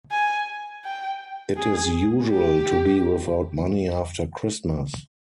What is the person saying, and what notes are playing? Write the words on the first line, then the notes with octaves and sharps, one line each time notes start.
It is usual to be without money after Christmas.
G#5
G5
G#4
G4